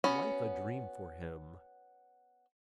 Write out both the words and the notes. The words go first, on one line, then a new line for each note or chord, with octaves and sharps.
Life a dream for him.
B3 C#4 F#4